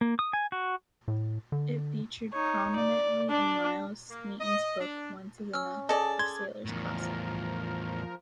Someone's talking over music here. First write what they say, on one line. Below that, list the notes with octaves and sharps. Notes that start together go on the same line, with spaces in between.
It featured prominently in Miles Smeeton's book "Once Is Enough", a sailor's classic.
A#3
D#6
G#5
F#4
A2
D3
D#4 C#5
D5
D4 D5
A#3
D#5
D4
C#4 E6 F6
G#4 A4 D5 D#5 A5
C6 G#6
E2 A2 F3 A#4